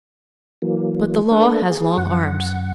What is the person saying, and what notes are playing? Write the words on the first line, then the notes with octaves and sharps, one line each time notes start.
But the law has long arms.
E3 F#3 A#3
A3 A#3 D4 A4 B4
G#4
F#2 F#5